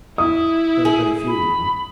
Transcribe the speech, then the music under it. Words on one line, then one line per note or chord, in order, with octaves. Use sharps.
There are very few now.
E4 D#6
G#4
B5